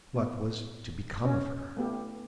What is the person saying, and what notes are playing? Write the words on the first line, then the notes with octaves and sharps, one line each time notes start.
What was to become of her?
B3
C#4
A3 B3 G4